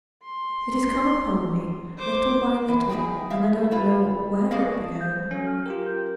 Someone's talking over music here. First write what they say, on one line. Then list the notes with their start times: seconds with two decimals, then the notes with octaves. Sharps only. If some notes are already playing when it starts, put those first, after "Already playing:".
It has come upon me little by little, and I don't know where it began.
0.24 C6
1.98 C5 D6
2.68 E3
2.89 E2 E3 D#4 G#4 G5
3.30 E5 F5
3.71 E4 F4 B4
4.51 F#4 G#4 A4 D5 D#5 F5
5.01 C5 F5 G6
5.31 F#3 C#4 A4 C#5
5.47 F6
5.66 F4 G4 A#4 G5
5.86 G6